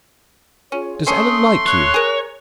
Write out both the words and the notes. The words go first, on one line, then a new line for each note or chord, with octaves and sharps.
'Does Ellen like you?'
C#4 F4 G#4 C#5
A3 C#4 C6 D#6
C#5 F#6
G#4 A#4